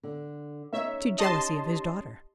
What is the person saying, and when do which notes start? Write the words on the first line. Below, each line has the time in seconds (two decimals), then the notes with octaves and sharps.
"To jealousy of his daughter."
0.03 D3
0.73 C#4 D#4 C#5 E5
1.19 G4 D#5 A5 C6